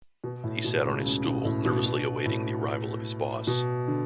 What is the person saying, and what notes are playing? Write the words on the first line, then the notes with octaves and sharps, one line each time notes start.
He sat on his stool nervously awaiting the arrival of his boss.
B2
A2
B2
C#2 C#3
C#2 C#3
B2
A2
B2
B2
A2
B2
D3